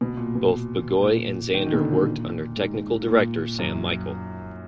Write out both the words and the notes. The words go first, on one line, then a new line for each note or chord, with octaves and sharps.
Both Bigois and Zander worked under Technical Director Sam Michael.
B2
A#2
B2
A#2
D#3
D#3
B2
D3
A#2
G#2
A#2
F#2